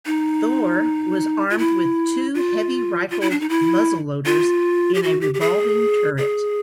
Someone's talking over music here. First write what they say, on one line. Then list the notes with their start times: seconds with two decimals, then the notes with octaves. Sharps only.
"Thor" was armed with two heavy rifled muzzleloaders in a revolving turret.
0.06 D#4
1.50 F4
1.58 E4
2.34 F4
3.11 F4
3.21 E4
3.31 D4
3.40 D#4
3.49 E4
4.26 F4
4.94 G4
5.03 F#4
5.21 G4
5.34 G4
5.40 G#4
6.18 G#4